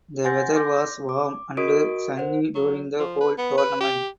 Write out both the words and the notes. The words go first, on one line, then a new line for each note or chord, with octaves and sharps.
The whether was warm and sunny during the whole tournament.
F#5 G#5 C6 G6 A6 A#6
C6 D6 G6 A#6
D6
F#4 A#4 D#5 C#6 D#6 D7
A#4 C5 F#5
F#3
F3
B4
B3
B4
G4